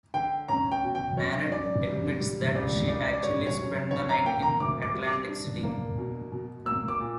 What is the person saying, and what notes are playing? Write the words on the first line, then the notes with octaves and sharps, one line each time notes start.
Nanette admits that she actually spent the night in Atlantic City.
D3 G5
C#4 A#5
G5
B2
G5
F#2 C#5
F#2 D5
G3
G3
C#2 D5
C#2 D5
D5
G3 C#5
C#5
F#2
D3 C#5
A#5
A#3 G5
A#5
D2 D6
D6
G3
D6
D4
A#3
B2
B2
A#3 E6
D6
A#2